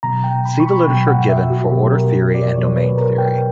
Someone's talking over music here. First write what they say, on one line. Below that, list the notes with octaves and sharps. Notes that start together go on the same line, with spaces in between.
See the literature given for order theory and domain theory.
B2 F#3 A#5
G5
B5
C#6
B5
B2 F#3 G5
F#5
E5
F#4
B2 F#3 G4
A#4
D5
B2 F#3 C#5
B4
A#4
G5